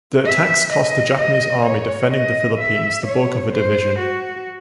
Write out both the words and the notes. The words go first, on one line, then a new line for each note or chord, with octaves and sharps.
The attacks cost the Japanese army defending the Philippines the bulk of a division.
E5
D#5
D#5
C#5
D#5
E5
C#5
C5
F#4